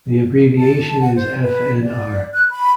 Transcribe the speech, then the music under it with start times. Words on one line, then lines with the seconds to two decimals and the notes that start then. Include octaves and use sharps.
The abbreviation is Fnr.
0.58 A5
1.01 F#5
1.16 C5
1.43 B4
1.82 D5
2.34 F#6
2.50 B5